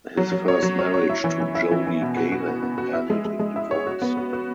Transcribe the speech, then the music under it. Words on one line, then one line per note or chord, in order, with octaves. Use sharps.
His first marriage to Jody Gaylin ended in divorce.
F#3
F#3
C#5
F#3
C#5
C#5
E4
E3
E3
E4
E3
E3
B2
F#4
F#4
B3
B3
F#4
E4
G#3
G#3
G#3
E4
C#5
F#4
B3
F#4
F#4